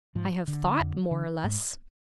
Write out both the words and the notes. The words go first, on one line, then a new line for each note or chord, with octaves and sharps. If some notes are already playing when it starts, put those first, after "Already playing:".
'I have thought more or less.'
G#2 F3
D3
F2
D3
G#2